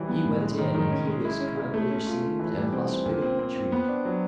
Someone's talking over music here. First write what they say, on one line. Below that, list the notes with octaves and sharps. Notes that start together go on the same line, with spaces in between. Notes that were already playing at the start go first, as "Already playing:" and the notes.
He went in, and he was kindly received and hospitably treated.
Already playing: E3 F#3 G3
B3
A2
G#3
D#3
D#3
C#4
G#3
E4
C#4
G#3
A3
C#4
F4
A3
E3
G3
C4
C4
A#2
C4
C4
C4
B3
D4
F#3